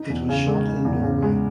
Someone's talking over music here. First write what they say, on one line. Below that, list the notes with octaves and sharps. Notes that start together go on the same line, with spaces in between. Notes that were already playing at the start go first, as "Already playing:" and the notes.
It was shot in Norway.
Already playing: D#4
E2
C#3
G#3
D#4
E2
C#3
G#3